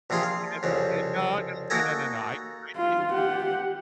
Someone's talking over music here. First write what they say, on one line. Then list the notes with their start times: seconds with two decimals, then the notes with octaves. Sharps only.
That's it. No, no, no, no, no. I I gave you
0.10 A#1 C3 F3 F4 G#4
0.23 F5
0.63 C2 F2 C#3
1.70 A#3 D#4 F#4 A4 G#5
2.77 F4
3.11 G4 F#5